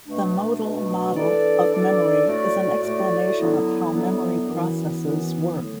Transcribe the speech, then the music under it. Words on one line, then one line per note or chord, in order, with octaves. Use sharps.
The modal model of memory is an explanation of how memory processes work.
B2 A3 D4
B2 A3 D4
E3 D4 A4 D5
E3 D4 A4 D5
A2 A3 F#4 D5
A2 A3 F#4 D5
D3 F#3 B3 E4
D3 F#3 B3 E4
F#2 E3 B3 E4
F#2 E3 B3 E4
D3 F#3 A3